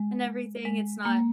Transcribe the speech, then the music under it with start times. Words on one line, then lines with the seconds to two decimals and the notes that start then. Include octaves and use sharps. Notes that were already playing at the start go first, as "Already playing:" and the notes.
and everything, it's not,
Already playing: G#3
0.65 G#3
1.05 A#3